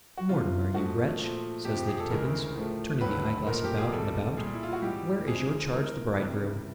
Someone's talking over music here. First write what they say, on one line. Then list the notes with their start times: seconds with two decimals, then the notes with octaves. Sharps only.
'Mortimer, you wretch,' says Lady Tippins, turning the eyeglass about and about, 'where is your charge, the bridegroom?'
0.17 F#4
0.29 C#2 C3 E3 F4
0.63 F4
0.74 G#2 F3 A3 F#4
1.20 A#2 F3 A3
1.65 F2 C3 F3 G4
1.77 G4
1.88 G#4
2.00 A4
2.10 D2 C#3 E3 G#3 A#4
2.56 A2 F3 A3
3.01 D#2 D3 F#3 A3 B4
3.26 B4
3.46 A#2 F3 A3 A#4
3.65 G4
3.78 G#4
3.92 C2 B2 G3 A4
4.37 A#2 G3 G#4
4.54 E4
4.63 F4
4.73 F#4
4.82 G#2 E3 G3 G4
5.27 D2 C3 F3 G#3 G#4
5.73 G2 E3 G#3 A#4
6.18 C#2 C3 E3 G3